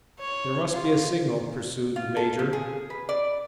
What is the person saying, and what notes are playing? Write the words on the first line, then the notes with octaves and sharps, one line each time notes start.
"There must be a signal," pursued the major.
C#5
F4
F4
A4
F3
G#4
B4
D5